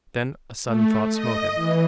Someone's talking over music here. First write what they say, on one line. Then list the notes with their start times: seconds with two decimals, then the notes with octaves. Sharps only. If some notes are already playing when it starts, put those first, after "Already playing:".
Then a sudden thought smote him.
0.66 A3
1.13 D#5
1.55 E3